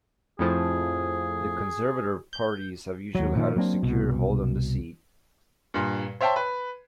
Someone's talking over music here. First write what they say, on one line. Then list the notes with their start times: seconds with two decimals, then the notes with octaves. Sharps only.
The conservative parties have usually had a secure hold on the seat.
0.39 F2 A2 F3 G#4
2.33 G6
3.15 D#2 F#3
3.35 A#2 D#3 F3
3.56 F#3 A#3 C4 D4
3.83 C2 B2
5.74 G2 A#2
6.21 C5 C#5 E5 G5 A5 C6
6.36 B4